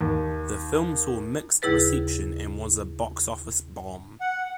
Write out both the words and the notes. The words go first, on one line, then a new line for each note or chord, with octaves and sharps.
The film saw mixed reception and was a box office bomb.
D#2
D#2 C#3 E4 G#4 B4 A6
F#5